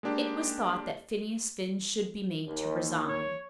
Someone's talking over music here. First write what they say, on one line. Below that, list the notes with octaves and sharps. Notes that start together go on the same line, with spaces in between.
It was thought that Phineas Finn should be made to resign.
G#3 A#3 D4 G4
D#2
C#5